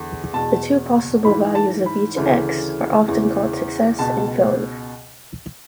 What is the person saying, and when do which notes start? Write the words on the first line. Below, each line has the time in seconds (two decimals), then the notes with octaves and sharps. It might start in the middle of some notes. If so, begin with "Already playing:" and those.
The two possible values of each "X" are often called "success" and "failure".
Already playing: E2 D3
0.33 E2 B2 A5
1.25 G#2 E3 B5
1.55 A5
1.86 B5
2.17 D2 C#3 E3
3.08 E2 C#3 E3
3.99 C#2 B2 A5